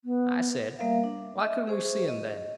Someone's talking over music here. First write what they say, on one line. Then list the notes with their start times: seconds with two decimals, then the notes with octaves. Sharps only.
I said, why couldn't we see them, then?
0.05 B3
0.79 G3 A#3 A#4 E5 F5
1.04 D4
1.40 D#5 E5
1.67 G#4 C5 C#6
2.08 D#5